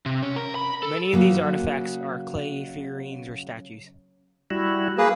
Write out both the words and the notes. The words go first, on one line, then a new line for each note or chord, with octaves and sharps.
Many of these artefacts are clay figurines or statues.
C3
C#4
A#4
B5
A4
C#3 F#3 A#3 F4
G3 E4 F#4
A#3 G#4 B4